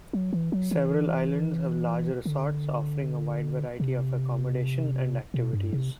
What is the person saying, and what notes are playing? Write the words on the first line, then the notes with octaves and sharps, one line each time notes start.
Several islands have large resorts, offering a wide variety of accommodation and activities.
F#3
E3
F#3
E3
D3
C3
B2
G2
C3